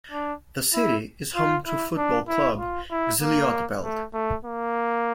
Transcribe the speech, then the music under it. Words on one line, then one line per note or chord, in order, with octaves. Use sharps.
The city is home to football club Xilotepelt.
D4
E4
F4
E4
D4
E4
F4
E4
A#3
A3
A3
A#3